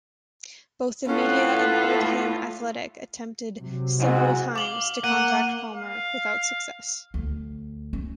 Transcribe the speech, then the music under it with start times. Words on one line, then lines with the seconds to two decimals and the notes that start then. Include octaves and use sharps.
Both the media and Oldham Athletic attempted several times to contact Palmer without success.
1.07 A2 C#4 F4 A4 B4 F#5
1.90 A3
3.59 C3 F#3
3.99 G#2 C4 F#4
4.56 F5 D6 F#7 G7
5.04 A#3 F#5 D#7
5.76 F5
7.14 D2
7.93 C#4